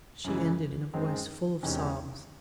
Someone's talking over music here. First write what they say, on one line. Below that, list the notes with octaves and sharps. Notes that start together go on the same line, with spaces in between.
She ended in a voice full of sobs.
F#2 C#3 E3 G#3
F#2 D#3 G#3 C4
E2 C3 D#3 G#3 C#4